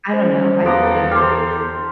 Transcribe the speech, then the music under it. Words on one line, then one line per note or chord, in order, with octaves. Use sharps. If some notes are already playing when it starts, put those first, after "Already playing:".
I don't know. I could never just be
G3 C#4 C5
E2 B3 G4 A4 F5 A#5 C6 D7
G4 C5 F6